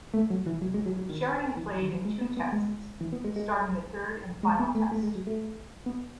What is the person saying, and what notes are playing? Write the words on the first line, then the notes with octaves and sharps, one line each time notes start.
Sheridan played in two Tests, starting the third and final Test.
A3
F#3
E3
F#3
G#3
F#3
F#3
D#3
E3
E3
D#3
F#3
G#3
B3
B3
G#3
E3
B3
G#3
G#3
G#3
B3
A3
A3
G#3
F#3
A3
B3